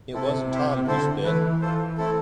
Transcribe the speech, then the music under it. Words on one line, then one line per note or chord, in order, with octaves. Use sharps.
It wasn't Tom who spit.
C3 C4 E4 A4
E4 G4 C5
D3 C4 E4 A4 C5
E3 A3 E4 B4
F4 A4 C5
A3 C4 E4 A4